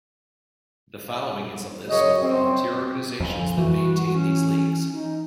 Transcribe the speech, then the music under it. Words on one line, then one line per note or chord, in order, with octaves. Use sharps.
The following is a list of the volunteer organizations that maintain these leagues.
F#2 C#3 C#5 D#5
C4
F2 G#5
E3 F#4
C#4
D#4